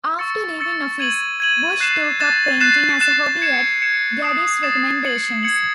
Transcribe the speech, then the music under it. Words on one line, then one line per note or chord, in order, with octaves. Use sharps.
After leaving office, Bush took up painting as a hobby at Gaddis's recommendation.
C#6 E6 A6 C#7
C#6 E6 A6 C#7
G#6 D#7 F#7
G#6 D#7 F#7
F#6 A6 C7 E7
F#6 A6 C7 E7
F#6 A6 C7 E7
F#6 A6 C7 E7
G#6 C#7 E7
G#6 C#7 E7
D#6 A6 C7 E7
D#6 A6 C7 E7
G#6 C#7 F#7
G#6 C#7 F#7